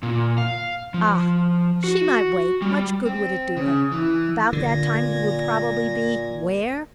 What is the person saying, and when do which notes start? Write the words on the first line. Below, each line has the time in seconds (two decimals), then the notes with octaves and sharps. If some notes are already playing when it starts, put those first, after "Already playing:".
Ah! she might wait--much good would it do her; about that time he would probably be--where?
0.03 A#2
0.38 F5
0.94 F3
1.84 F#4
2.62 G3
3.05 C4
3.57 C#3
3.92 E3
4.53 A#2 D3 G#6 A#6